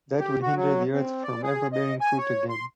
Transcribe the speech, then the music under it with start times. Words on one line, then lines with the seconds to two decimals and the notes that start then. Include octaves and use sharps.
That would hinder the earth from ever bearing fruit again.
0.20 G4
0.42 F#4
0.56 F#3
0.93 C4
1.23 D5
1.43 G#4
1.73 D#5
2.00 G#5
2.18 C#5
2.49 C6